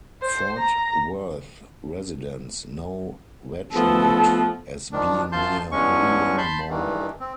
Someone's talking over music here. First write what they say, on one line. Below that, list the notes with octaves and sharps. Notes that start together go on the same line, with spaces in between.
Fort Worth residents know Wedgwood as "being near Hulen Mall".
C5
A#5
F3 A3 B3 A4
D#3 F3 D4
F#2 F3 F4 A5 C6 G6
E2 G2 G#3 C#4 C#6
A5 B5 C6 G6
G2 D#3 E3
C4